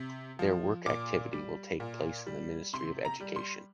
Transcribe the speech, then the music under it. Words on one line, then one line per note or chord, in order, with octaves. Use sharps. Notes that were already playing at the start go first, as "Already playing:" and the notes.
Their work activity will take place in the Ministry of Education.
Already playing: C3
F3
A#2 D6
G3
A#2
G3
C3 C6
A#5
G3
C6